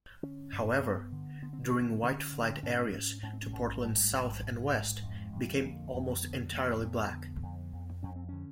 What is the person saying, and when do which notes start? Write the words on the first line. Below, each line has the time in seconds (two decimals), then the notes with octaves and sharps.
However, during White Flight areas to Portland's south and west became almost entirely Black.
0.23 D3 C#4
0.52 G2
0.74 A#3
0.82 G2 B3
1.12 D3
1.42 D3 B3
1.53 C4
1.63 B3
1.71 D3 C4
1.82 B3
2.03 D3 C#4
2.33 D3
2.63 G#2 C#4
2.93 G#2
3.22 G#2 C#4
3.33 C4
3.42 C#4
3.52 G#2
3.83 G#2 G3
4.14 G#2
4.42 G#2
4.73 G#2
5.03 F2 G#3
5.32 F2
5.63 D3 A#3
5.94 F2
6.23 D3 B3
6.53 F2 A#3
6.79 A#3
6.83 F2 B3
7.13 D3
7.43 F2
7.73 F2
8.03 F2 C#4
8.16 C4
8.29 D3 C#4